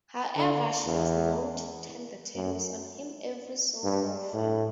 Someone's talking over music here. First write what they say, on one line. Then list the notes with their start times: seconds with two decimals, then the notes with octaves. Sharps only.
However, she was known to turn the tables on him every so often.
0.36 D3
0.86 E2
2.35 F#2
3.84 G2
4.34 A2